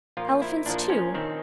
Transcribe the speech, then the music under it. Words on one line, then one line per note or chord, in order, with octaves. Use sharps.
Elephants, too!
A#2 F3 F4
E4
A#2 F3 D4
C#4
D#3 C4